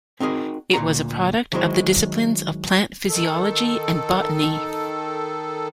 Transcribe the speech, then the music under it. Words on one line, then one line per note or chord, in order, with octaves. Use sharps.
It was a product of the disciplines of plant physiology and botany.
C4 D#4 F#4 G#4 A#4
D2 A#2 D4 F#5 A#5
D#3 F#3 G#3 E4 C5
D#3 A4